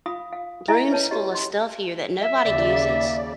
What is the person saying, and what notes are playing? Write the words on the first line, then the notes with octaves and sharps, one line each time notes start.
rooms full of stuff here that nobody uses,
F4 F5 B5 D#6
F5
E4 D#5 E5 G#5 A#5
B4 C#5 A5
F#4 G4 D#5
D#5 C6
E5
D#2 C#3 D5